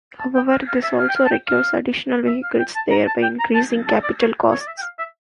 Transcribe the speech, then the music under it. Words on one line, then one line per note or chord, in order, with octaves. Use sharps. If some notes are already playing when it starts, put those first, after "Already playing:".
However, this also requires additional vehicles, thereby increasing capital costs.
A5
G5
F5
F5
E5
F5
G5
F5
A5
G5
F5
E5
F5
G5
A5
A#5
A5
G5
A#5
A5
A5
D5
C#5
C#5
D5
E5
G5
F5
E5